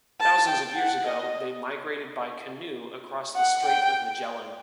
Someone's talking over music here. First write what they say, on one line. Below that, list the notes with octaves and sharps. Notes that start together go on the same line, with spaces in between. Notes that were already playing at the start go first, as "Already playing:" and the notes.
Thousands of years ago, they migrated by canoe across the Strait of Magellan.
A5
G5
F#5
D#5
F#5
G5